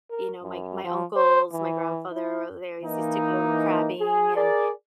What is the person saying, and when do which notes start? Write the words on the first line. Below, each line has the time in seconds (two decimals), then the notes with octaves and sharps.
you know, my my uncles, my grandfather, they always used to go crabbing, and,
0.10 A#4
0.43 F#2
0.84 F3
1.16 C5
1.52 E3
2.12 E4
2.83 E3 A#3 D#4
4.00 G#4
4.35 G#4 A#4 D5